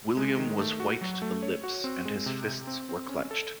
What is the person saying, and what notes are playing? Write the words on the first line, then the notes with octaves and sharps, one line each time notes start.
William was white to the lips, and his fists were clenched.
G#3
D#3
A3
F#4
F#3
A3
C#5
F#4
C4
G#3
C3
C3
C4
C4
C#4
A4